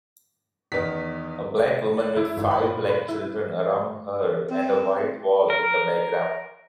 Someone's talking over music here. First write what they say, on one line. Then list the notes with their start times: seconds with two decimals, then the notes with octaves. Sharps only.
A black women with five black children around her and a white wall in the background.
0.72 E2 D#3 B3 B6
1.97 D5
2.16 E4
2.37 G#1
2.51 B5
2.63 A#2
2.90 B4
3.08 E4
4.50 C4
5.50 A#4